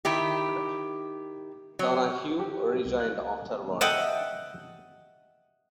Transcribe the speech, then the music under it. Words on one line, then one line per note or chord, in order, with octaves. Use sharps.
Donahue rejoined afterward.
D#3 E4 G4
F#3
G4
C2
F#6
D#5 E5 F#5 G5 A5